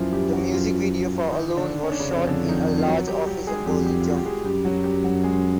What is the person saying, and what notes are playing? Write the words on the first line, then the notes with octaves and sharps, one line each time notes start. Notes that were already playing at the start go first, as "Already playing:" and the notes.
The music video for "Alone" was shot in a large office in Berlin, Germany.
Already playing: F#2 E3 F3 E4 F4
G3 G4
F#3 F#4
F3 F4
D#3 D#4
D3 D4
C#4
D4
C#3 C#4
F2
D3 D4
D#3 D#4
F4
F#3 F#4
G3 G4
G3 G4
G#3 G#4
F2 G3 G4
G3 G4
F4
F#4
G4
G#3 G#4
F#2 G3 G4
F#3 F#4
G3 G4
F#3 F#4
G#3 G#4